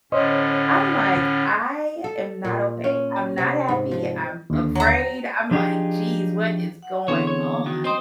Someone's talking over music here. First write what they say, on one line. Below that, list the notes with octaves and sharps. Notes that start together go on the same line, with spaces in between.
I'm like, "I am not okay. I'm not happy. I'm afraid." I'm like, "Geez, what is going on?"
A2 D3 C#4 C5 C#5 D#5
A4
A#2
C#4
C3
G#2
F3
D#2 D3
F#3 A#5
F3 D4 D#4 G4 G#4
F#5
D3 E3 B3 C4 G#4 C#5
C#5
D#3 F#4
C4 C5 D#5 C6 D#6